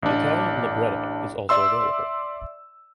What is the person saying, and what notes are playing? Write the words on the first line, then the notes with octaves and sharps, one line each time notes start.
The Italian libretto is also available.
A1 D4
D5 E5 C6 E6